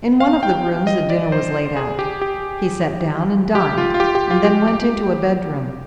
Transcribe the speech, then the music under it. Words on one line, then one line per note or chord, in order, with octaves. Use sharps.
In one of the rooms a dinner was laid out. He sat down and dined, and then went into a bedroom.
F5
G5
D#5
D5
C5
G#4
G4
G4
G4
F4
F4
G4
G4
F4
G4
G4